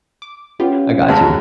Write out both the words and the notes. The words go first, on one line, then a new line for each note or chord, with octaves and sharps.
I gotchu."
D6
B3 C#4 F4 G4
F#2 F#3 G#3 A5